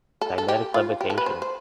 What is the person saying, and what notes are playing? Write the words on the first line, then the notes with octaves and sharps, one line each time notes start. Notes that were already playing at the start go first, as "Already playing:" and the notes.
Magnetic levitation.
A4
A4
G4
F4
G4
A4
B4
C5
C5